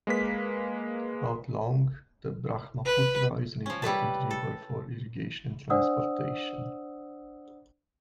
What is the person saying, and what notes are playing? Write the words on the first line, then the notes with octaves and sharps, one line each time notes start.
About long, the Brahmaputra is an important river for irrigation and transportation.
G#3 A#3 B4 B6
B4
F3 C#4
G3 E4 B4 A5
A4
D4 C5 D5 F#5 D#6 E6